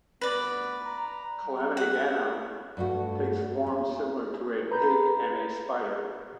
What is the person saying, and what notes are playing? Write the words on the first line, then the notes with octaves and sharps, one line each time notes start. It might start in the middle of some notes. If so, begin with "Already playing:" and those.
Calamity Ganon takes forms similar to a pig and a spider.
D2 G3 B3 B4 D5
A#5
G3
F#5
G2 A3 F#4
C#4
B4 A#5 B5 G6